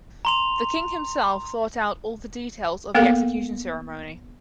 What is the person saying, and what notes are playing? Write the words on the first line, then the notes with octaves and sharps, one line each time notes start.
The king himself thought out all the details of the execution ceremony.
A#5 C6 F7
A#3 B3 A4 A#4 F5